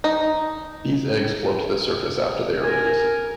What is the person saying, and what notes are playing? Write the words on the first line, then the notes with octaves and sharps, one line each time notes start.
These eggs float to the surface after they are released.
D#4
A#4 G#5